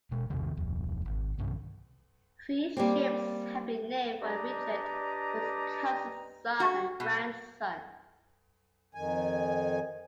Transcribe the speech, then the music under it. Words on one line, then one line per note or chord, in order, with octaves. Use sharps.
Three ships have been named for Richard, his cousins, son and grandson.
B2 G#3
E2 G2 C3 D#3
D1 F2
G#1
B1 G2 C3 D#3
G3 A#3 C4
D4 G4 B4 D5 D#5 A#5
F#4
B2
F2 D#3 G#5